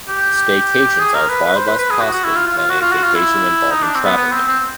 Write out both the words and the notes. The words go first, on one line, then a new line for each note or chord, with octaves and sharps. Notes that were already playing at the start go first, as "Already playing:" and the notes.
Staycations are far less costly than a vacation involving traveling.
G4
G#4
A#4
B4
B4
C5
B4
B4
G#4
F#4
F#4
E4
F4
F4
F4
F#4
F4
F#4
F4
E4
D#4
D4
C4
B3
B3
C4
C4